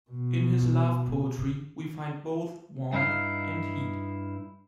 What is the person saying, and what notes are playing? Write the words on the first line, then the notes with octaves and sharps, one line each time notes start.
In his love poetry, we find both warmth and heat.
B2
G2 D#4 E4 A4 F5